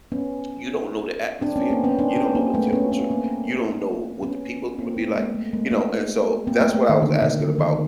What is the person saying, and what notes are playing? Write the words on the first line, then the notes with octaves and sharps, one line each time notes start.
you don't know the atmosphere, you don't know the temperature, you don't know what the people are gonna be like, you know? And so that's what I was asking about,
B3 C#4
C4 D4
B3 C#4
A#3 C4
B3 C#4
C4 D4
B3 C#4
A#3 C4
A3 B3
B3 C#4
B3 C#4
A#3 C4
B3 C#4
A#3 C4
A3 B3
G#3 A#3
A3
G#3 A#3
A3 B3
A#3 C4
A3 B3
A3
D#3
D3
B2
D3
D#3